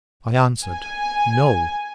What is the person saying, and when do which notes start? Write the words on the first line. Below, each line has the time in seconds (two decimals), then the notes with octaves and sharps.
I answered, No.
0.67 G#5